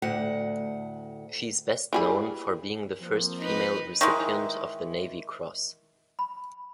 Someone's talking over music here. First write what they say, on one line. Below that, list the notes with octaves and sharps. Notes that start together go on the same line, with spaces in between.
She is best known for being the first female recipient of the Navy Cross.
D2 A2 F#5
E3 G3 G#4
F3 A#3 C4
D#4 B4
D#3 E3 G#3
B5